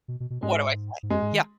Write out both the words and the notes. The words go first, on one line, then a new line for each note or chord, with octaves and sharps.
What do I say?" yeah.
B2
B2
B2
G#2 G#3
G#2
F#2 G#3
G#2
D#3